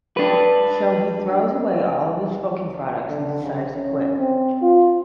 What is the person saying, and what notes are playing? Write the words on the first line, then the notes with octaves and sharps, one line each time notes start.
So he throws away all of his smoking products and decides to quit.
D4 B4
D3
C#3
C#4
C4
F4